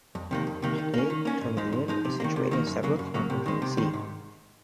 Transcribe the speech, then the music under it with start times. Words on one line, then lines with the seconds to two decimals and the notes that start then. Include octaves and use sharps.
Today Kauniainen is situated several kilometres from the sea.
0.15 F2
0.31 C3 D#3 A#3
0.47 F2
0.62 C3 D#3 A#3
0.78 D#3
0.94 A#3 C#4
1.10 D#3
1.25 A#3 C#4
1.41 G#2
1.57 F3 G#3 D#4
1.73 G#2
1.88 F3 G#3 D#4
2.05 C3
2.20 D#3 A#3
2.36 C3
2.51 D#3 A#3
2.67 F#2
2.83 C#3 F#3 A#3
2.99 F#2
3.14 C#3 F#3 A#3
3.30 C3
3.46 D#3 G#3
3.62 C3
3.77 D#3 G#3
3.94 G#2